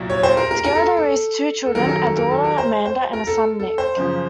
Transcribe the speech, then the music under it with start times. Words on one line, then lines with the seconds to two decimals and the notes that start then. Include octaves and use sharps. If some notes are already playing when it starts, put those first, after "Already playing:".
Together they raised two children, a daughter Amanda and a son Nick.
Already playing: C2 A#2 F#3
0.10 C#5
0.23 C5
0.37 A#4
0.51 A#4
0.64 A#4
0.75 A4
0.97 A4
1.66 A4
1.75 F#2 D#3 F#3 A#4
1.85 A4
1.89 A#4
2.03 A4
2.17 A#4
2.31 A4
2.44 A#4
2.58 C5
2.85 C5
3.13 A#4
3.27 A4
3.60 A4
3.78 C5
3.97 F#2 C#3 F3